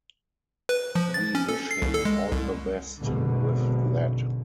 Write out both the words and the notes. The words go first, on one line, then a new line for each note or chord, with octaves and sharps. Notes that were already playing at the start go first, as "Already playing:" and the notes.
We wish him all the best with that.
B4
F3
A6
C#4
A4
C7
C2
A4
G#3
C2
G#1 F#2 B2 D3